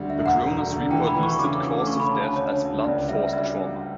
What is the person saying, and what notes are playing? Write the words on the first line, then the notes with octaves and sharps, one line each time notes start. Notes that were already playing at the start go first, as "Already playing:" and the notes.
The coroner's report listed cause of death as blunt force trauma.
Already playing: D2 G3
E5
E1
F#5
E1
D2
E3 G5
B5
E3
C#6
C#3 D6
A3 D6
C#3 C#6
B5
D2 A5
A5
D2 C#5
D2
C#2 D5
G3 E5
E5
G3 D5